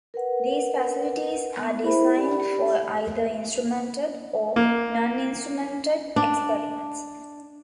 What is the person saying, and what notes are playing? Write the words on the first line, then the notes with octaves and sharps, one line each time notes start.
These facilities are designed for either instrumented or non-instrumented experiments.
A#4 B4 F#5
B3
E4 G#4 A#4 C5 E5 B5
G4 D5 B5
A#3
D4